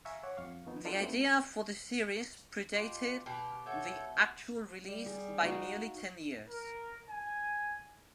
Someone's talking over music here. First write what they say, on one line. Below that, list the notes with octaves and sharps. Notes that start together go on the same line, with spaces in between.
The idea for the series predated the actual release by nearly ten years.
E5 F5 G#5 A#5 C#6 E6
C#5 F#5 D6
F2 F5 C#6
F3 B3 D#4
D4 D#4 F4 G4 A4
A3 C4 F#4 B4
B2 F4 G4 F#6
B2 G4 G5 F6
E4 F#4 A4 C#5 G6
G3
G#4
D#4 F#4 F5
A#4
G#5